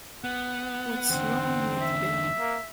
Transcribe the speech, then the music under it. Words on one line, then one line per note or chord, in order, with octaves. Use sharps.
What's Wrong with Bill?
B3 F#5
E2 D3 C4
E5
A#3